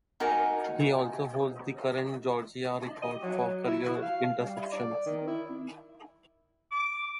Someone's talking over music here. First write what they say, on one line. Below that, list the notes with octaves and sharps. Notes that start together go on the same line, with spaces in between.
He also holds the current Georgia record for career interceptions.
D#4 F#4 A#4 G#5
D#5
F#3
E4
F#4
F5
G3
D5
D#3
E4
D6